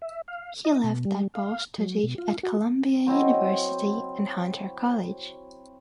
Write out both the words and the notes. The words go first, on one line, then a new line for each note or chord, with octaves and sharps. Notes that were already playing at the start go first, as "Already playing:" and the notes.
He left that post to teach at Columbia University and Hunter College.
E5
F5
D#5
B2
G3
F5
F#3
B2
F4
F#4
F#3 C4 E4 D#5